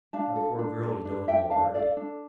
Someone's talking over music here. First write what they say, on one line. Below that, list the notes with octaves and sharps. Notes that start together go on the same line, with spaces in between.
"My poor girl, you know him already."
D4 F5 A5
A4
D4
A4
D4
A4 E5 G5
D4 F5 A5
A4 D5 F5
D4